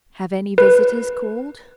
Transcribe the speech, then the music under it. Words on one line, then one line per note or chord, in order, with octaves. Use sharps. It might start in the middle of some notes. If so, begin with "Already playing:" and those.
"Have any visitors called?"
B4